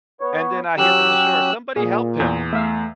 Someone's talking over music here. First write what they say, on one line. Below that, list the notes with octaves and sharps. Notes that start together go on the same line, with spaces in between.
and then I hear from the shore, "Somebody help him,"
B3 C#5
F#3 C#4 G4 E6 F#6
A#2 G#4
E2
A3 E5 F5